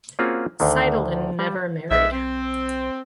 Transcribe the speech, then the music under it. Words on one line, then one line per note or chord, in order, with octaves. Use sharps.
Seidelin never married.
A#3 C4 C#4 F4 F#4 G#4
D2 D3 D#3
G3
B1 G#2 G#3 E5
C4